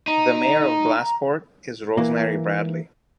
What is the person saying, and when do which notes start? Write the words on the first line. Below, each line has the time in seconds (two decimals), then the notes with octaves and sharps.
The mayor of Glassport is Rosemary Bradley.
0.08 D#4 A#5
1.97 E3 A#3